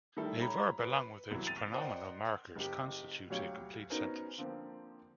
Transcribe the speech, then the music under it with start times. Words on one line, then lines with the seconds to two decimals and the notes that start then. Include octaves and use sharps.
A verb along with its pronominal markers constitutes a complete sentence.
0.17 D#3 G3 A3 E4 A4
0.41 C#5 A#5 B5
0.79 B4
1.31 C2 E3 F#3
1.47 A6 D#7 F7
1.73 A#4 C5 D5 D#5 F#5 G5
2.56 F#1 G4
3.30 D2 F#3 G4 C#5 F5
3.90 B3 C#4 D#4 F#4 A#4 C5
4.38 D3 F3 A#3 C4